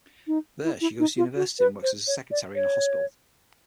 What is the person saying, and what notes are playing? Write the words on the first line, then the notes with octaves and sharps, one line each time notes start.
There, she goes to university and works as a secretary in a hospital.
D#4
E4
E4
D#4
F4
F#4
B4
C5
C#5
D5
C#5